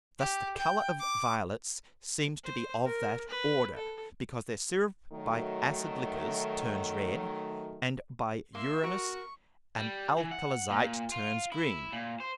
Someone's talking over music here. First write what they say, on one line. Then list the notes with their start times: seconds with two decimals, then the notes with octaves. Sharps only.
Thus the Colour of Violets seems to be of that Order, because their Syrup by acid Liquors turns red, and by urinous and alcalizate turns green.
0.19 G4
0.57 G5
1.00 D6
2.44 C5
2.86 A#4
3.28 B4
3.77 A4
5.12 D#3 F#3 A3
8.55 A#3 E5 C6
8.83 F#4 A#4 C#6
9.78 G3
10.18 E3
10.31 F#5
10.70 A#2
11.12 F4
11.52 E4
11.92 A#2
12.20 C5